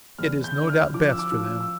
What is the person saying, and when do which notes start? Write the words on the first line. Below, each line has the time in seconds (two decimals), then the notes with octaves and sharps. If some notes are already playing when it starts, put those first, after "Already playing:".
It is no doubt best for them.
0.18 E2 F6
0.44 G6
0.57 D3
0.69 F6
0.94 F3 D6
1.11 E6
1.19 D6
1.32 F3
1.45 E6
1.61 E6